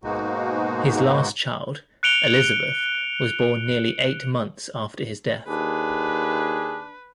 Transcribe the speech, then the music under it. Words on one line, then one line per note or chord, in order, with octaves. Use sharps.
His last child, Elizabeth was born nearly eight months after his death.
G#2 B2 G#3 A#3 D#4 F#4
F#6 C#7 D7 F7 G7
D#2 D4 G#4 B4